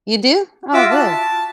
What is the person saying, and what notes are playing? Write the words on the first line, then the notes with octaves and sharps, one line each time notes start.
You do? Oh, good.
F4 F#4 E5 D6 E6
A5